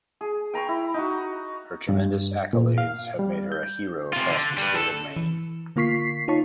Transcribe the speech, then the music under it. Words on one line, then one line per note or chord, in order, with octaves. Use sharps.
Her tremendous accolades have made her a hero across the state of Maine.
G#4
G5 A#5 B5 C#6
E4
D#4 F#4
G2
A#2
F5
G3
G6
C3 F4
D3
G3 B4
A4
E3
D3 A#3 F4 C#6 B6 C7
D#4 F4 C#5 A5 C#6